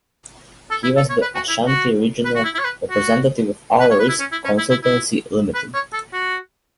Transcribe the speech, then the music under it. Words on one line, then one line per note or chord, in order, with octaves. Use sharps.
He was the Ashanti Regional Representative of All Risk Consultancy Limited.
A4
E4
A4
C#5
B4
F#4
E4
F#4
B4
F#4
E4
E4
C#5
B4
F#4
B4
C#5
B4
E4
C#4
E4
C#4
E4
E4
E4
B4
C#5
A4
F#4